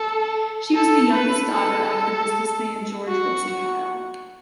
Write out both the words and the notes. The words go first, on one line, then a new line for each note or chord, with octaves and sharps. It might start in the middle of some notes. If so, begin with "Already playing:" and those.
She was the youngest daughter of the businessman George Wilson Kyle.
Already playing: A4
A4
B4
A4
F#4